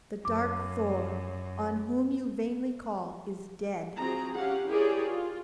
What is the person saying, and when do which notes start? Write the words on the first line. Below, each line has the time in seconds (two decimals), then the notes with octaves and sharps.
The dark Thor, on whom you vainly call, is dead.
0.25 F#2 D6
3.97 F3 C4 F#4 G#4 A#5
4.35 C#4 G4 F5 F#5
4.68 E4 G4 G#4 A#4 C#5 D5
5.09 F4